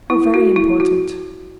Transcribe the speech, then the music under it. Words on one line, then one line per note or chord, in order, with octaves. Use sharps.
"Oh! very important."
E4
F#4
E4
F#4